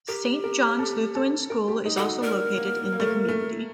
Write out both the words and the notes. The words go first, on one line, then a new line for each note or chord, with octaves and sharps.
Saint John's Lutheran school is also located in the community.
G4 A#4
A#4
A4
A4
A#4
G4
D#4
F#4 A4
D#4
D4 A#4
A#3
A#3
A3
A#3
A3